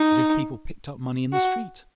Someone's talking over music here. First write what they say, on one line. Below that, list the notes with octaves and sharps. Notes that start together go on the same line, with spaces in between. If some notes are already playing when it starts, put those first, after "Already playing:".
As if people picked up money in the street!
Already playing: D#4
F#4